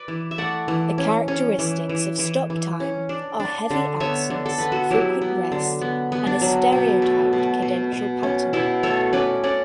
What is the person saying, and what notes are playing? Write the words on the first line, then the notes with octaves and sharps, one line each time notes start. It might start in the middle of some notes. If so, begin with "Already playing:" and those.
The characteristics of stop-time are heavy accents, frequent rests, and a stereotyped cadential pattern.
Already playing: B4 D5
E3
E5
A3 D5 F#5
E3
C#4
C#4
E3
E3
E3
E3
C#4
D4
D4
D3
B3 C#5 E5
D3
A4
B3 B4
F#4 A4
F#3 E4 G4
B3
D3
B3
B3
D4
F#3
B2
A3
B2
B2
B2
C#4
B2 E4
A3 A4 C#5
C#4 B4 D5
C#4 D5 F#5